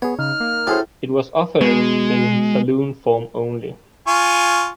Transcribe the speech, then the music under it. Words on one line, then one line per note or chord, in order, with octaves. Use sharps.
It was offered in saloon form only.
B3 G#4 C#5
C#3 D#4 F6
A#3
A2 C#4 F#4 G#4 A4 C5
B2 G#3
F4 G#5 C#6